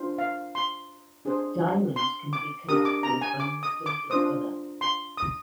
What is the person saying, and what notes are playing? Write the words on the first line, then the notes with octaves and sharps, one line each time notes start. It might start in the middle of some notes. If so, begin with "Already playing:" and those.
Diamonds can be collected by moving into them.
Already playing: D4 F4 C5
F5
C6
D4 G#4 C5
C6
D6
D4 G4 A#4 D#6
D6
A#5
G#5
D6
D#6
D6
D4 F4 C5 D#6
C6
D#6